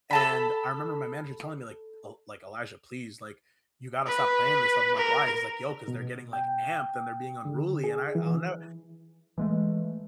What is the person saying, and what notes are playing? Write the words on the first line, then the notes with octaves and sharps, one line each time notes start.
And I remember my manager telling me like, uh, like, "Elijah, please, like, you gotta stop playing this stuff." I'm like, "Why?" He's like, "Yo, 'cause they're getting like amped and they're being unruly," and I I'll know,
A4 A5 B5
B4
A#4
B2
G5
D3
G#4
E3
E3 G#3 A3